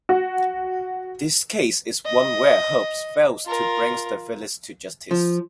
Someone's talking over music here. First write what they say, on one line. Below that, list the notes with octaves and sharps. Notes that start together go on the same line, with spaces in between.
This case is one where Holmes fails to bring the villains to justice.
F#4
D#5
F4 A#4
F3